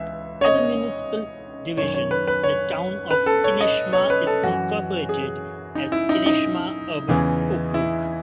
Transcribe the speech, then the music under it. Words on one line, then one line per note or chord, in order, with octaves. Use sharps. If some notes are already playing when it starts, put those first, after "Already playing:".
As a municipal division, the Town of Kineshma is incorporated as Kineshma Urban Okrug.
Already playing: C#2 E3 E5
C#5
D#5
F#2 D#3 C#5
C#5
B4
B4
C#5
B4
A4
C#5
D#5
C#5
B4
A4
F#2 E3 F#4
G#4
D#4
E4
D#4
D#4
E2 C#3 E3
E4